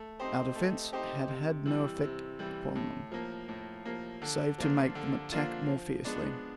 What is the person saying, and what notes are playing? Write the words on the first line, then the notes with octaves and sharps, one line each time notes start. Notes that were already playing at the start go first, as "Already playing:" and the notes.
Our defence had had no effect upon them, save to make them attack more fiercely.
Already playing: A3
C4 D#4 G4 C5
A3
C4 D#4 G4 C5
C3
E3 G3
C3
E3 G3
A2
F3 A#3
A2
F3 A#3
D3
F3 A#3 D4 F4
D3
F3 A#3 D4 F4
F3
G#3 B3 D4